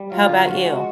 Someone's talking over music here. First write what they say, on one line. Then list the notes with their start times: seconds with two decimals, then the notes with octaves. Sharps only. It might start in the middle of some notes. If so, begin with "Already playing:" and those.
How about you?
Already playing: G3
0.12 F#3 F4
0.29 D3
0.47 F3 F#4
0.65 G#3